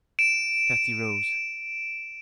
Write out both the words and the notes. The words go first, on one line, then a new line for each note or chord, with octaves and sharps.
Cathy rose.
D7 E7